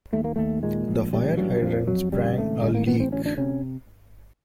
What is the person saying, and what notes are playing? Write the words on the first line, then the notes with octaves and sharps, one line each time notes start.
The fire hydrant sprang a leak.
D#2 A3
A#3
D#2 A3
A#2 G#3
A#1
A1 G3
G2 F#3
F2 F3
F2 F#3
C#3 G3
G#1 A3
A1 G#3
A#3
A1 B3
C4
D2 C#4
D4
C3 C#4